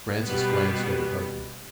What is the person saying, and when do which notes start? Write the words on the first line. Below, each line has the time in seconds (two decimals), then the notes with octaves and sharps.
Francis glanced at her husband.
0.24 B2 G3 B3